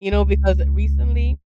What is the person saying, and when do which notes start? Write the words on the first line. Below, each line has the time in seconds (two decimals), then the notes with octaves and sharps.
You know, because, recently,
0.12 C#2